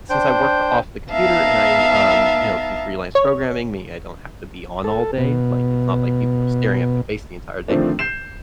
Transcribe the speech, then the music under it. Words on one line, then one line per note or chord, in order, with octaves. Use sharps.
since I work off the computer and I w um, you know, do freelance programming, meaning I don't have to be on all day, like, it's not like people are staring at my face the entire day.
D4 C5 G5 G6
B3 D#4 E5 F5 A5
C#5
A4
B2
D3 D#3 F3 A3 C4 D4
G6 C7 E7